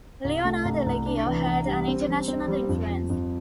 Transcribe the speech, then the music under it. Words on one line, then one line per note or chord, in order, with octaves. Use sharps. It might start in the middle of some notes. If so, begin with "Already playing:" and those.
Leonard Liggio had an international influence.
C2
A3
C2
C2
D4
E3
E3
G3
C4
G3
C4
G3
F2
F2
F2